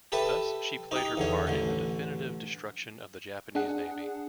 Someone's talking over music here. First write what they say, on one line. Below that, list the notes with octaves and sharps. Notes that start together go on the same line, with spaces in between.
Thus, she played her part in the definitive destruction of the Japanese Navy.
G4 A4 B4 E5
D#4 G4
E2 D3 C#5
A1 D3
D4 G#4 F#5